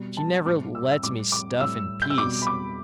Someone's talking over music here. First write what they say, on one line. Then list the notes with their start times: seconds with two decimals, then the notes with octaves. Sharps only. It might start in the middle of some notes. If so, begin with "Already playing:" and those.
She never lets me stuff in peace.
Already playing: B2 G3
0.17 A5
0.46 A2 G3 D6
0.75 E6
0.91 E6
1.03 A2 G3 D6
1.32 D6
1.61 A2 G3 E6
2.02 G6
2.10 E6
2.18 B2 G3 D6
2.42 B5
2.47 D6